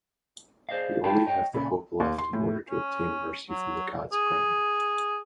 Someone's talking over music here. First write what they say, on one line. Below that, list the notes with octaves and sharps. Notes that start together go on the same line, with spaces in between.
We only have the hope left in order to obtain mercy from the gods praying.
G#4 C5 D5 D#5 F5
D#4 F4 F5 G5 A5 B5
C#5 D#5 G5
A#2 C#3 C#4 D5 B5
D#2
C6
A2
C#4
F#3
G#4